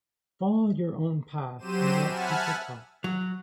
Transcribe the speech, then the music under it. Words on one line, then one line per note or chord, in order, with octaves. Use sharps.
Follow your own path and let people talk.
F#3 C4 G4 C5 D#7 E7
E5 F#5 G#5 A5 B5 F6
F#3